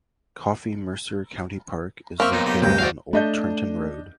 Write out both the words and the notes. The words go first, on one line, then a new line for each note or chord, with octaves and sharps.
Coffee Mercer County Park is located on Old Trenton Road.
A#3 C4 E5 C#6 F6
B1 D#4
D#4 G4
D2 G2 C3 G#3 G5
F#4 C5 D5 F5
A3 D4 D#5 G6